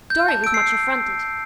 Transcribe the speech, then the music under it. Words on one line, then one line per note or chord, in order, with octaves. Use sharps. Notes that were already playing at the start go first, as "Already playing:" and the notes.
Dorry was much affronted.
G6
A5
E6 D7
C7